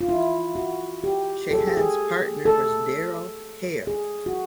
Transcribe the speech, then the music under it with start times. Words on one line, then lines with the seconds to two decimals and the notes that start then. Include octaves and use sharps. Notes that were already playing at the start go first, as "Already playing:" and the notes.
Sheahan's partner was Darrell Hair.
0.01 F4
0.09 E4
0.55 F#4
1.04 G4
1.51 A4
1.59 G#4
1.68 G4
1.77 G#4
2.46 A4
3.87 G#4
4.26 F#4